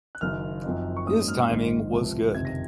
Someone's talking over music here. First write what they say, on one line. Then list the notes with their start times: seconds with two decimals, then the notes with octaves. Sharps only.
His timing was good.
0.15 F#6
0.21 F#1 F#2 D#3 F6
0.64 F#2 F3 C4 D#4
0.97 C#6
1.06 G#2 F#3 A#3 C#4 D#6
1.28 F6
1.49 A#1 G#2 D#3
1.91 C#2 C3 F3
2.34 F#1 F2 C3 D#3 G#6
2.45 A#6